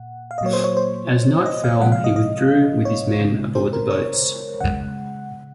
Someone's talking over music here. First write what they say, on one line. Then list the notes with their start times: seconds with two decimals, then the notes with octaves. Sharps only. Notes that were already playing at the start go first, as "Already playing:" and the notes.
As night fell, he withdrew with his men aboard the boats.
Already playing: A#2 F#5
0.31 F5
0.38 D#5
0.41 A#2 F#3 A#3 C#5
0.53 C5
0.64 C#5
0.77 C5
1.46 D#5
1.64 F5
1.81 C3 F3 G#3 F#5
1.92 F5
2.04 D#5
2.16 D#5
2.85 C#5
3.20 C#3 G#3
3.55 C5
3.73 A#4
3.90 C#5
4.60 C#3 G#3 F#5